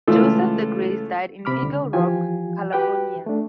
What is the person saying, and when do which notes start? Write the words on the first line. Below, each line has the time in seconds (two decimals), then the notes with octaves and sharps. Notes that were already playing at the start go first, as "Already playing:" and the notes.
Joseph De Grasse died in Eagle Rock, California.
0.07 C#2 E3 A3 F4 A4
1.45 C3 B5 D6 F6
1.62 C#2 D3
1.93 E3 F3 F4 G4 G#5
2.72 F#4 G4 B4 G5 F#6
3.26 A3 D4